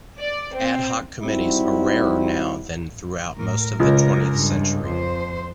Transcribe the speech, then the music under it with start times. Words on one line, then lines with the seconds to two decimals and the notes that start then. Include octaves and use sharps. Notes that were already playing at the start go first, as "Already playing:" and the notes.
Ad hoc committees are rarer now than throughout most of the twentieth century.
0.19 D5
0.55 C4
1.22 G3 C4 D#4 E4 F#4
3.37 A2 A#4
3.80 C#2 A#4
4.33 G2
4.85 F2 C5